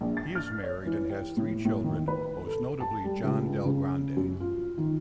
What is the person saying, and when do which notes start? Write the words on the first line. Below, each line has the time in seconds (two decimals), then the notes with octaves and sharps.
He is married and has three children most notably John Del Grande.
0.01 A#1
0.17 A6
0.35 F6
0.63 C#5
0.86 E3
1.10 G4
1.37 A2
1.65 A2
1.84 D#3
2.08 B4
2.47 A4
2.80 A5
3.04 G3
3.24 C#2
3.65 C#3
4.17 F#2
4.40 F4
4.78 D#3